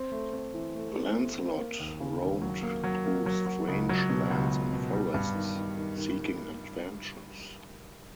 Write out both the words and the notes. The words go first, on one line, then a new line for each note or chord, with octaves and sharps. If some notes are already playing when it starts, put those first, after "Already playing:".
Lancelot roamed through strange lands and forests seeking adventures.
Already playing: C4
A3
C4
E3
A3
C4
A3
C4
A#3
D#2
C#3
D#2
F#3
A#3
F#3
A#3
F#3
F#3
C#2
F#3
B2
C#2
C#2
B2
G3
G2
D#3
D#3
D#3
D#3
G3